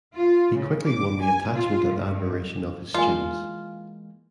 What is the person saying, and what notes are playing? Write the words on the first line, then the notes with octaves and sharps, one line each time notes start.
He quickly won the attachment and admiration of his students.
F4
C#3
D6
G#5
F4
G2
E3 G#3 A#3 F4 D5 G#5